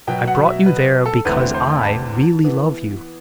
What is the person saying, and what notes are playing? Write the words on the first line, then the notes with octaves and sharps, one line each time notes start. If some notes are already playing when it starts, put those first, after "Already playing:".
I brought you there because I really loved you.
B2 F#3 B3 G5
F#5
E5
B4
A4
E2 D3 A3 C4 B4
C5
B5
A5
E3 B3